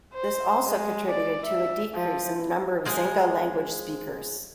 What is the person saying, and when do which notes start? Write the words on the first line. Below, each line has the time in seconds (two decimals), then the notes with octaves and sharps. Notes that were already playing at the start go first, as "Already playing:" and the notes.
This also contributed to a decrease in the number of Xinca-language speakers.
0.14 C5
0.66 G#3
1.09 D5
1.45 E5
1.94 F3
2.85 F3 G#3 G#4